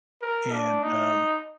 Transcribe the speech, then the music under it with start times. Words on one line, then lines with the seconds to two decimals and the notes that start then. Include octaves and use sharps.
and, um,
0.22 A#4
0.52 D4
0.83 D#4